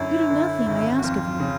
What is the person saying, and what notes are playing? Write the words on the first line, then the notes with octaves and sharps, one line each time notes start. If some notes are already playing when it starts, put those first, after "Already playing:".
You do nothing I ask of you.
Already playing: F#2 D3 E4
D3
G#1
F#4
F2 F4
C#3